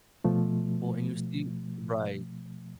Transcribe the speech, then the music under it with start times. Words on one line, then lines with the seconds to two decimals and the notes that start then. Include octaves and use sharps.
Well, and you see right.
0.24 B2 F3 A3